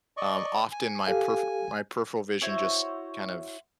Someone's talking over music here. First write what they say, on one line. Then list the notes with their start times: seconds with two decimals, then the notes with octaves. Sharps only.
Um, often, my perf my peripheral vision just kind of,
0.17 D5 D#5 C#6
0.72 G#5
1.07 G4 A4 F5
2.42 E4 F#4 C5 C#5